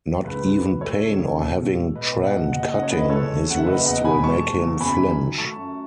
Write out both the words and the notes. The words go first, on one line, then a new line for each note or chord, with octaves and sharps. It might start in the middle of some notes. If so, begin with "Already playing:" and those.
Not even pain or having Trent cutting his wrist will make him flinch.
C#2 B4
C#3
F#3
A3 A4 C#5
C#2
C#3
B1
B2
G#3
B1 B4 D#5
B1
D#5 F#5
B2
F#1 D#5 F#5
F#2 D#5 F#5
C#5
E3 B4 D#5
G#3 A4 C#5
F#1
F#2 F#5
E5
F#1 B4 D#5
E2 D#5 F#5
B2 G#5 B5
G#3 A5 C#6
F#1
E2
F#2 G#5 B5
D#3
F#3
A3 A5 C#6
F#2